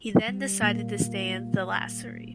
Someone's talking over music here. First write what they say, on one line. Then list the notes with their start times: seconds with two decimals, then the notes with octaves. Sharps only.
He then decided to stay in Thalassery.
0.28 G3
0.62 A#2 A#3